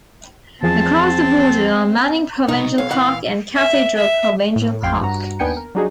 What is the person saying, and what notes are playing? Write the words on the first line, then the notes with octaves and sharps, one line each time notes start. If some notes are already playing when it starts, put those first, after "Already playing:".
Across the border are Manning Provincial Park and Cathedral Provincial Park.
E2 F3 C4 G#4 A5
C2 B2 D#4
B1 C#5 F5
A#2 E3 F#5
E5
E5
A2
A1 F2 F5 G5 C6 G#6
G2 F#4 A#5
D#2 B3 D4 G5 G#5 C#7
A#4
F#3 G3 D4 D#4 F#4 G#4